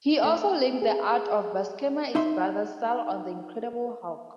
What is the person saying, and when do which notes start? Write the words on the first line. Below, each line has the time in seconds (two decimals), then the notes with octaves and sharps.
He also inked the art of Buscema's brother Sal on "The Incredible Hulk".
0.24 A3
0.82 G#4
2.15 D#4 E5 C6